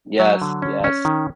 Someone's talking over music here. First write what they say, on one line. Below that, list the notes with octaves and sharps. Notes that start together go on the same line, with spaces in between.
Yes, yes.
F#3
D3
C#4
C#4
D#3